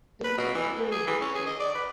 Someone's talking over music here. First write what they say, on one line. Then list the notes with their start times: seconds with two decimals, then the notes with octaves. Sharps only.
'Linton of the Grange,’ she replied.
0.24 B4
0.38 B2
0.55 E3
0.76 A3
0.92 G#4
1.07 E3
1.22 C#4
1.35 G#4
1.46 D#5
1.60 D5
1.75 B4